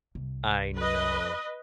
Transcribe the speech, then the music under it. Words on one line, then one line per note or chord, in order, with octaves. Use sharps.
I know.
C2
B4 D#5